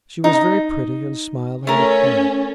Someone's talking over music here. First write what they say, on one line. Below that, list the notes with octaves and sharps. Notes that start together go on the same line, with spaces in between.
She was very pretty and smiling and quiet.
D#4
A3 C#4 A#4